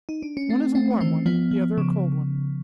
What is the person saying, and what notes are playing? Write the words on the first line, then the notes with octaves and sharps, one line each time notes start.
"One is a warm one, the other a cold one!"
D#4
D4
C#4
A3 C4
A3 C4
C#4
E3 C4
F3 B3
F3
C#3